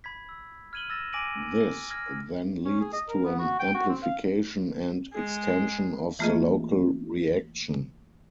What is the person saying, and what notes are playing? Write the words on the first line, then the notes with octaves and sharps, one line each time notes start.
This then leads to an amplification and extension of the local reaction.
B5 G#6 B6
E6
F6 G#6 D#7 F#7 G7
E6 A6 A#6 E7
G#5 D6 A#6 D7 D#7 F#7
F6 G#6 A#6
C#4
G#4
D#5
A#4
B3
F#4
G5
F#4
C4
F5
G#3 G#4
E3 A3 A#3 F4 G#4 D#5